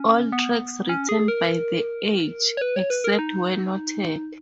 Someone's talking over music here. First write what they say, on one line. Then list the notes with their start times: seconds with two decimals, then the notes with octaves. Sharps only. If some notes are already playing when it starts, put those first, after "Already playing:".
All tracks written by The Edge except where noted.
Already playing: C#4
0.32 B3
0.89 C#4
1.09 G#4
1.28 A#4
2.57 C#5
2.61 B4
2.76 C#5
2.90 B4
3.04 A#4
3.19 D#4